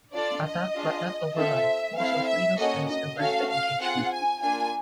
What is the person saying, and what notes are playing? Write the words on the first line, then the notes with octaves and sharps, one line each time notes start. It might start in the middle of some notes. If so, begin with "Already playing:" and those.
Attacked but not overrun, most of Reno's men survived the engagement.
D4 F4 A4 D5
D#5
D4 F4 G#4
C4 F4 A4 E5
C4 E4 A4 F5
E5
A#3 C#4 F#4 A4 D#5
D#5
A3 C#4 F#4 A4 F5
F5
C4 F4 G#4 F#5
G#5
A#3 D4 F4 G#5